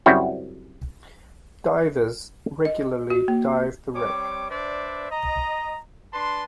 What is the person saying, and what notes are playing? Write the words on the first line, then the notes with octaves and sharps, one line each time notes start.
Divers regularly dive the wreck.
F#2 C#3 G3 C4 E4 F#4
D#5
F#4
A#3
G3 C4 C#5 D6
D4 B4 C5 D5 E5
D#5 A#5
D4 B4 A5 C6